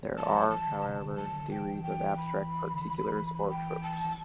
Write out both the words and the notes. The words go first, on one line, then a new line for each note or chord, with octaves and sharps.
There are, however, theories of "abstract particulars" or "tropes".
E3 A5
F#3
E3 A5
D3
C3
D3
F#3 A5
D3
E3 G5
G5
B5
D3
E3
G5
A5
E3